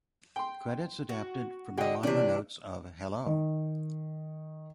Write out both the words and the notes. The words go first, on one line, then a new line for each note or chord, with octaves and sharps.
Credits adapted from the liner notes of "Hello".
G5 C6
F#4
D3 F#4 G#4 D#5 G5
C3 E3 C#4 D4
D#3